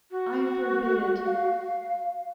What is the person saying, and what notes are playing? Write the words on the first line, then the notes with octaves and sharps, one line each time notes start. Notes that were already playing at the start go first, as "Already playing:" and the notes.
I forbid it.
F#4
F5